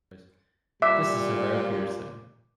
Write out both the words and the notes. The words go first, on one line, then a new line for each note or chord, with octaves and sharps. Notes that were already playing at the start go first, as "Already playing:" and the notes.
This is a rare piercing.
A#2 G3 E5 D6